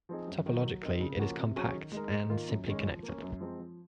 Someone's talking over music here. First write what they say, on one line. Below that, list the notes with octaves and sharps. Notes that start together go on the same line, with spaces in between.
Topologically, it is compact and simply connected.
F3 C4 D#4 G#4
F#2
D#3 F#3 A#3
F#3
C4 D#4 A#4
C#3
F3 A#3 C#4 F#4
C3
F#3 C#4 G#4
D#3
G#3 D#4 A#4
G#2
D#3 A#3 F4 A#4
F#2
D#3 G#3 C#4
F3
A#3
C#4
F#2
F3 G#3 C4
F3